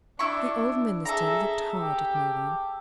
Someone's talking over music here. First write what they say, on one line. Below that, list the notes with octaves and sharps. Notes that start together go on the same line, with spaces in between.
The old minister looked hard at Marian.
D4 E4 C#6
G#4 A4 E5 A#5
G4